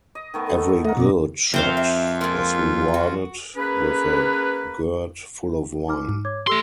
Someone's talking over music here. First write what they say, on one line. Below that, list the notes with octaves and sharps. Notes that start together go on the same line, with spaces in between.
Every good shot was rewarded with a gourd full of wine.
D#5
D#3 A3 B3
A4
A3 A#4 D#5 F#5
B2 D5 D#5
F2 D#3 A3 C4 C5 F5
E5
G#3 A#3 F4
F#4
A#3 C#4 G#4 B4
D#4 D6 F6
G#2
C#5 D6 G#6
A3 G4 A4 C6 E6